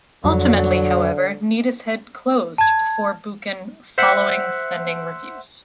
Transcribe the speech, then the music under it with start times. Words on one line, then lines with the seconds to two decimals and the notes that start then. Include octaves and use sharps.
Ultimately, however, Neatishead closed before Buchan following spending reviews.
0.24 F2 D3 F#3 G3
2.58 A5 G#6
3.98 C5 E5 F#5